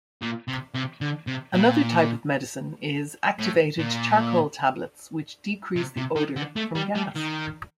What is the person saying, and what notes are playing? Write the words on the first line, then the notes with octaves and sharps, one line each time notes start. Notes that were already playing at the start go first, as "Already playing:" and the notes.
Another type of medicine is activated charcoal tablets which decrease the odor from gas.
A#2
C3
C3
D3
C3
A#2
A2
A#2
C3
C3
D#3
D3
A3
G3
G3
D#3